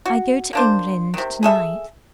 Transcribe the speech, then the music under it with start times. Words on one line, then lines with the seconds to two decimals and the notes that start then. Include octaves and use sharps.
"I go to England to-night."
0.06 F#4
0.53 A#3 D4 C5
1.14 C3 D#3
1.43 G#4 A4 E5